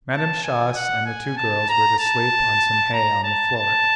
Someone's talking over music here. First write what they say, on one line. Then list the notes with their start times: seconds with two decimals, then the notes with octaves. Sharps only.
Madame Schoss and the two girls were to sleep on some hay on the floor.
0.12 A5
0.44 G#5
0.74 F#5
1.06 G#5
1.37 A5
1.69 A#5
1.99 A5
2.93 A#5
3.24 A5
3.55 A5